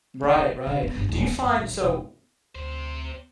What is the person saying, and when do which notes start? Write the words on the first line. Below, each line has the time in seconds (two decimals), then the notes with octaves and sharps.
Right, right. Do you find so,
0.23 B3
0.35 D#3
0.49 C4
0.67 D3
0.83 B3
0.95 G1
1.09 D#1
1.25 F2
1.40 F#2
1.57 A#1
1.69 F2
1.81 E1
2.55 D2 C3 C5